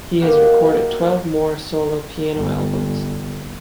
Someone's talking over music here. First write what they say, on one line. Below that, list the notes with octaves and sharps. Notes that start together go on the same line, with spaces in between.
He has recorded twelve more solo piano albums.
D#3 A#3 F#4 G4
G1